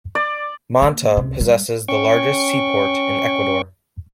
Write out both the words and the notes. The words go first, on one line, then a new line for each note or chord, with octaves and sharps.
Manta possesses the largest seaport in Ecuador.
D5
A#3
C#2 C3
G3
C#4 G5 C#6